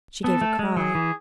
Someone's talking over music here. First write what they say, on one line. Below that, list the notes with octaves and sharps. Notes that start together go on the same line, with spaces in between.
She gave a cry.
B3 A4
A3
G#3
F#3 G#4
E3